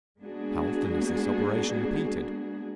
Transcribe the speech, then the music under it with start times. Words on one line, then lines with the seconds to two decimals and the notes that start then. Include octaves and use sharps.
How often is this operation repeated?
0.22 G#3 A#3 B3 D4 F#4 G#4